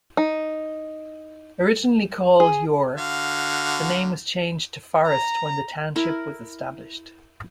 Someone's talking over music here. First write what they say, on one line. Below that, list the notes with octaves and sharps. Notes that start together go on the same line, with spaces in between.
Originally called Yaugher, the name was changed to Forrest when the township was established.
D#4
G#4
D3 F#4 F5
A#5
E4 A#4